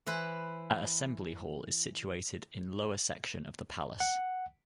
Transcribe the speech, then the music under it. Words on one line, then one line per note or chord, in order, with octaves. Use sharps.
A assembly hall is situated in lower section of the palace.
E3 E4 B4 C5
F#5